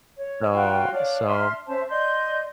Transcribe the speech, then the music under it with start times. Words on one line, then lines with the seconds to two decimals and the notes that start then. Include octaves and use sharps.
So so
0.17 C#5
0.52 F4 F#4 F5 G5
0.93 D4 C#5 D5 F5
1.27 D4 E5 C6 F6
1.67 C#4 C5 E5 A5
1.89 D5 D#5 C6 G6